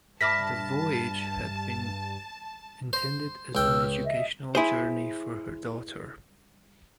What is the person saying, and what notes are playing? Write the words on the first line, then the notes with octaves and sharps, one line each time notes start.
The voyage had been intended as an educational journey for her daughter.
G2 E5 A5 B5 D6 F6 A#6 B6
C5
C#2 G5 E6 F6
D#5 E5
E4 G#4 C5